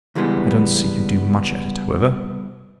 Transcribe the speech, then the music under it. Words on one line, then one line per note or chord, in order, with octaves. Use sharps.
I don't see you do much at it, however.
C#2 E3 G3 G#3 B3